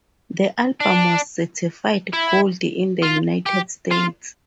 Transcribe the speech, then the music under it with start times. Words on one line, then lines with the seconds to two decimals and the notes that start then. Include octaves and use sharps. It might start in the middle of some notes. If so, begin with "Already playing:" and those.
The album was certified Gold in the United States.
0.80 D4
2.13 E4
3.02 F4
3.46 G4
3.91 F4